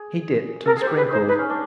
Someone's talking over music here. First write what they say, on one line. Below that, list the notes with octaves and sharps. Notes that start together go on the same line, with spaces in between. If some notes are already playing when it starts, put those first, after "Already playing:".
He dipped and sprinkled.
Already playing: G#4
A4 A#4
G#4 C5
G4
G#4 B4
D#4 C5
D#4 B4
C#4
D4